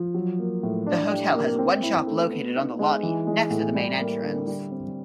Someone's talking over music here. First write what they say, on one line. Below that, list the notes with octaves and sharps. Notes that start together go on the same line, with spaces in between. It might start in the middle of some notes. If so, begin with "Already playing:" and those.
The hotel has one shop located on the lobby next to the main entrance.
Already playing: F3
F#3
A#3
A2
D4
G4
A#3
C4
E4
A3
B3
D#4
G#3
E3
G#3
A2
G3
A#3
D3
G3
C4